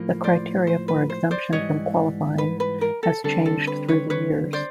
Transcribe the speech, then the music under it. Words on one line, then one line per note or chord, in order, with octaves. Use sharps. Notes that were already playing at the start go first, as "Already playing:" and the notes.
The criteria for exemption from qualifying has changed through the years.
Already playing: A2 F3 A#3
C5 D5
C5
B4
C5
C5 D5
G#2 E3 G3 C#5 D#5
B4
B4
A#4
A4
D3 G3 C4 A4
A4
B4
B4 C#5
B4 C#5
C5 D5